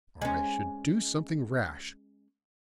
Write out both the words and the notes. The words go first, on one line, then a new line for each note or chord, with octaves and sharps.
"I should do something rash."
G#3 C#4